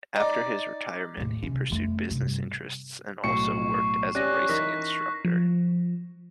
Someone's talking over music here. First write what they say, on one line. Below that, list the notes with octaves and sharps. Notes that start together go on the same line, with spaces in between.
After his retirement, he pursued business interests and also worked as a racing instructor.
D#4 D5
D#2 A2
C3 C#4
F2 A3
G2 C3
B1 A2 C#6 C7 C#7
C#4 G4 D5 F#6 A#6 D#7
E3 D#4 A#4 A#6 B6
F3